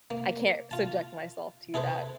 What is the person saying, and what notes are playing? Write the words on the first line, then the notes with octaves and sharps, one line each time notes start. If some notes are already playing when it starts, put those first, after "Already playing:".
I can't subject myself to that
A#3
F4 A5
E4 G#4 A4 B4 C5